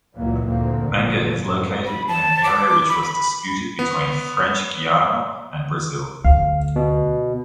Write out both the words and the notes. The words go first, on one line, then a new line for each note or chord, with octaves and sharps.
Manga is located in an area which was disputed between French Guiana and Brazil.
C#2 F#2 A#2 E3 F#3 A#3
D2 A#2 A#3 C4
G1 A#2 F3
F#1 A2 F#3 C4
B5
A5
D6
B5
B5
B3
D2 F5
B2